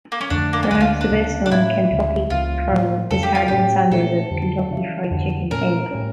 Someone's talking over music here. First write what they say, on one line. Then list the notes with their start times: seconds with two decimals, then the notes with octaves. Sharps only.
Perhaps the best known Kentucky colonel is Harland Sanders of "Kentucky Fried Chicken" fame.
0.12 A#3
0.21 C#4
0.30 F2 D3 A3 D4
0.53 A#3
0.63 C#4
0.71 D2 D3 G3 A#3 D4
0.81 F4
1.01 D4
1.10 D2 C#3 G3 A#3
1.46 D4
1.51 A2 E3 A#3 C#4 E4
1.91 D2 C#3 G3
2.30 C#2 C#3 E3 A#3 F4
2.71 A2 F3 A#3
3.11 F2 C#3 G3 A4
3.23 G4
3.35 F4
3.48 A2 G3 C#4 G4
3.91 A#2 A3 C#4 A4
4.31 F2 D3 G3
4.71 C#3 E3 G3
5.11 F2 D3 G3
5.51 A#2 A3 C#4 A#4
5.91 A2 G3 C#4